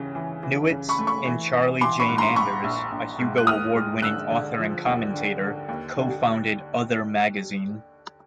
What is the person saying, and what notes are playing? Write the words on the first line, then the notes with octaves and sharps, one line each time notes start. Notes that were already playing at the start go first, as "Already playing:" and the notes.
Newitz and Charlie Jane Anders, a Hugo award-winning author and commentator, co-founded "Other" magazine.
Already playing: D#2 C#3 E3
E3
E3
C#3
B5 C#6
A3
B5 C#6
E3
E3
E3 C6 D6
B5 C#6
G#2
A#5 C6
A#1 B5 C#6
A#1
A#1
G#2
F#6
D#2 D#6 F6
G#3
D3 E6 F#6
D3
F3
D#2
D3
D3
D#2
D3